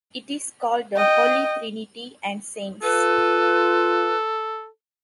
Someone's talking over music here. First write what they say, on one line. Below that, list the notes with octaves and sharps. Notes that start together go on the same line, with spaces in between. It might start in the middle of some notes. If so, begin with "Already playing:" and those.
It is called the Holy Trinity and Saints.
D#5 G5
F4 A4 B4